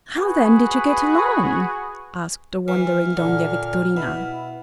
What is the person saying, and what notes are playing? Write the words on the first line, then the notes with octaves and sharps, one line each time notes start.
"How then did you get along?" asked the wondering Dona Victorina.
F#4 G#4 B4
E3 F6
A#2 D3
B2 E4